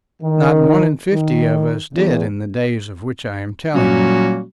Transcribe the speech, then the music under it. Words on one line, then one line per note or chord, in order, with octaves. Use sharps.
Not one in fifty of us did in the days of which I am telling you.
D#3
D#3
E2
A#2 F#3 G3 A#3 C#4 F#4